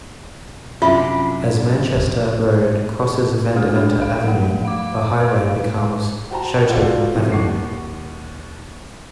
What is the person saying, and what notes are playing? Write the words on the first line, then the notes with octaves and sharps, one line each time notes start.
As Manchester Road crosses Vandeventer Avenue, the highway becomes Chouteau Avenue.
F#2 C3 D4 F4 E5
G#3 F#4 G#4
D4 G#4
F5
F3 A3
F5 D6
B4 F5
F#4 C5 G5 A5 A#5
F4 F#4 A4 C5 D5 F5
F#2 A2 C3 D#3 E3
D#2 F#5 C#6 D6 C7